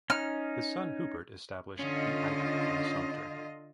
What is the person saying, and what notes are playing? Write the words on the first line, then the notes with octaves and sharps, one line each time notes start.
His son Hubert established "The Item" in Sumter.
C#4 D#4 F6
D3 C#4 F4 D#5